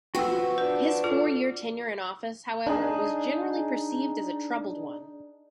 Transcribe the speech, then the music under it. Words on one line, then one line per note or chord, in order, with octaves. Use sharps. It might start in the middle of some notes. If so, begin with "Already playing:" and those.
His four-year tenure in office, however, was generally perceived as a troubled one.
F3 B3 F#4 G5 E6
D4 B4
F4 A4
D4 D#4 G#4